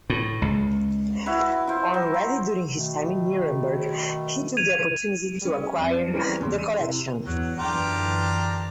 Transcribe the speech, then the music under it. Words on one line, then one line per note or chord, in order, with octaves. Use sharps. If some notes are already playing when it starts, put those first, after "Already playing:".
Already during his time in Nuremberg he took the opportunity to acquire the collection.
A2
C#2
E4 F#4 B4
E4 F4 C5
F#3
C5
B2 D#3 A3
G#6 D#7 F7
G3 C#4
F2 D5 D#7
E3 G3 A#3 C4 C#4 A#4
E2 C#3 C6
D#7
C3 E4 C6
E2 F#3
F#2 D3 E3 D4 F4 G4 A#5